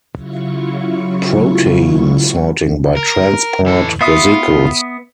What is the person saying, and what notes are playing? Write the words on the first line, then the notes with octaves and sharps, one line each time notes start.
Protein sorting by transport vesicles.
C#3 F#3 E4 F4 C#6
A#4
E3 A4
B3 F4 E5 D#6